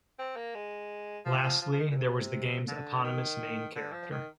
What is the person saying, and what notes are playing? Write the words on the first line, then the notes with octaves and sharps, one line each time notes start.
Lastly, there was the game's eponymous main character.
C4
A#3
G#3
F3
F3
F3
F3
D#3
A#2
C3
D3
D#3
D3
F3
D#3